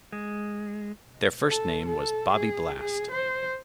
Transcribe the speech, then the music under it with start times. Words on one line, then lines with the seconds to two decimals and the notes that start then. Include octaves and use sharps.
Their first name was "Bobby Blast".
0.13 G#3
1.48 A4
1.86 A4
2.32 G#4
2.79 G#4
3.11 C5